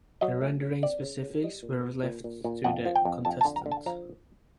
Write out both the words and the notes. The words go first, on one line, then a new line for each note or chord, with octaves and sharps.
The rendering specifics were left to the contestant.
F#3 D#5
A3
C#3
C4 D5
C#3
C#3
G3 D#5
A#2
B3
A#2
A#2
A#2
F2 F#5
F3
G5
F2
F2 A5
A5
D3
A#5
D3
A5
F3 A#5